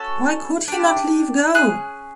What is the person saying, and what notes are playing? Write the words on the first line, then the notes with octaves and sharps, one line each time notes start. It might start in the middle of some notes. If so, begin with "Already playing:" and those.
Why could he not leave go?
Already playing: C#4 F#4 A4
D4 G4
C#4 E4 G#4 F#6